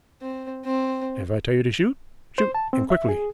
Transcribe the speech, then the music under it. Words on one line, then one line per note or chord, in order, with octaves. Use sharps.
If I tell you to shoot--shoot, and quickly.
C4
C4
C5
A5
C4
E5
G#4